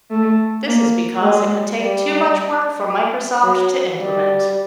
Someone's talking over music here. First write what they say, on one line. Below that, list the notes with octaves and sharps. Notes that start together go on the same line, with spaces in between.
This is because it would take too much work for Microsoft to implement.
A3
A#3
G#3
G3
F#3
G3